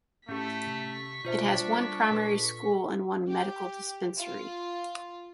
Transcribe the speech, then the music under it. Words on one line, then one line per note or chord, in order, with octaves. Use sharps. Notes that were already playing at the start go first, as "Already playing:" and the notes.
It has one primary school and one medical dispensary.
A2 A3 C#4 G4 C#6 B6
C3
B2 D4 F4 C5 E5
G3
A#2 A4 B4
G4
F4